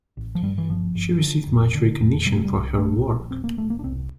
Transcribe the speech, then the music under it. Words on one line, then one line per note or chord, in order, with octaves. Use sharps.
She received much recognition for her work.
A1
F3
G2 G3
E3
G1 F3
G1
D3
F1
D3
F2
C3 G3
A3
G3
C2
A#1 A3
A#1
E1 C4
A#3
E1 A3
A#3
D4
C2 C4